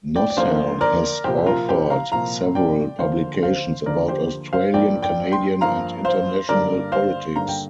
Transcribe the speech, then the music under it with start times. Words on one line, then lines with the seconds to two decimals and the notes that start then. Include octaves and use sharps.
Nossal has authored several publications about Australian, Canadian and international politics.
0.16 D5 G5
0.30 D5
0.37 D2 D3 F3 A#3 C5 F5
0.81 A#4 D5
1.24 C2 A#2 F3 A#3 G4 C5
1.46 F4 A#4
1.68 G4 C5
1.90 F5 A#5
2.12 C2 A#2 F3 A#3 F5 A#5
2.55 D5 G5
2.99 D2 D3 F3 A#3 C5 F5
3.43 C5 F5
3.86 D2 D3 F3 A#3 A#4 D5
4.08 G4 C5
4.53 C5 F5
4.74 G2 F3 A#3 D5 G5
5.02 D5 G5
5.32 G5 C6
5.61 G2 F3 A#3 F5 A#5
6.05 C5 F5
6.49 G2 D3 G3 A#3 A#4 D5
6.92 C5 F5
7.36 G2 D3 G3 A#3 F5 A#5
7.49 G5